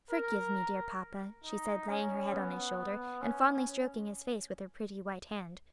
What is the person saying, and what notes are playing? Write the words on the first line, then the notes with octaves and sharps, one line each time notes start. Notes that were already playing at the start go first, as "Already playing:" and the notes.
"Forgive me, dear papa," she said, laying her head on his shoulder, and fondly stroking his face with her pretty white hand.
A#4
D#4
C#4
B3
B3
C#4